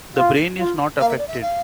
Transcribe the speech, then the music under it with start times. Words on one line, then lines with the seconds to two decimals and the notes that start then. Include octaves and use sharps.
The brain is not affected.
0.17 F4
0.59 F4
1.00 A#3 F5
1.09 E5
1.18 D5
1.28 E5
1.42 F5